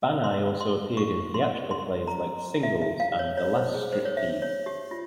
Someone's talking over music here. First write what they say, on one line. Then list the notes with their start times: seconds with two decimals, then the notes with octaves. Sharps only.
Banai also appeared in theatrical plays like "Singles" and "The Last Striptease".
0.24 C6
0.61 C6
0.97 C#6
1.34 C6
1.71 C6
2.07 A#5
2.63 E5
2.82 E5
3.00 F5
3.19 C#5
3.37 C#5
3.56 C5
3.74 G#4
3.93 C5
4.05 C#5
4.17 E5
4.42 C#5
4.66 G4
4.91 F4